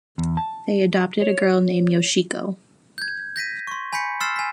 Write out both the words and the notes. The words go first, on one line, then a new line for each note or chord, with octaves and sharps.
They adopted a girl named Yoshiko.
E2
A5
C#5
G6 G#6
G6 A#6 B6 D#7
C6 C#6
G#5 B5 G6 B6 C#7
C6 E6 F6 A6 C7 E7
G#5 B6